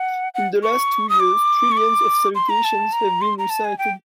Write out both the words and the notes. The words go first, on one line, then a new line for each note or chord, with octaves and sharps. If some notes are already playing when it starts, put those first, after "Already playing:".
In the last two years trillions of salutations have been recited.
Already playing: F#5
F#5
C#6
D#6
D6
C#6
D6
C6
A#5
A5
A#5
C6
A#5
A5
G#5
G5